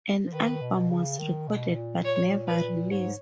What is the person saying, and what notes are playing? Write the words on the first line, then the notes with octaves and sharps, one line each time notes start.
An album was recorded, but never released.
F3
D#3 B4
B2
C#3
D#3
B2
A#2
C#5
B4
G#2 C#5